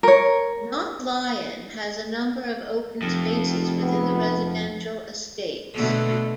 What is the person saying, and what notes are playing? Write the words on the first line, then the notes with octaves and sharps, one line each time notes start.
Knocklyon has a number of open spaces within the residential estates.
A#4 C#5
F1 F2
B3
B2 D3 A3